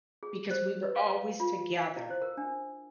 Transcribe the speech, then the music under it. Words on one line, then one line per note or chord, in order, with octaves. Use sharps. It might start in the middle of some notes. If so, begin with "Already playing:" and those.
because we were always together.
G#4
C5
B4
F5
F4
F5
E4
C5
A#4
D4